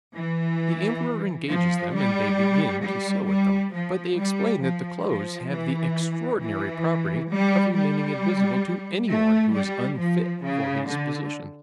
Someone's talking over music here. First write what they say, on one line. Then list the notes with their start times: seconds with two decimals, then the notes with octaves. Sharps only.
The emperor engages them and they begin to sew at them, but they explain that the clothes have the extraordinary property of remaining invisible to anyone who is unfit for his position.
0.17 E3
1.50 F3
1.95 G3
2.84 G3
3.29 G3
3.74 F3
4.19 G3
4.63 F3
5.08 F3
5.52 E3
6.42 E3
7.31 G3
7.76 G3
9.10 A3
9.54 G3
9.99 F3
10.44 C#3
10.88 D3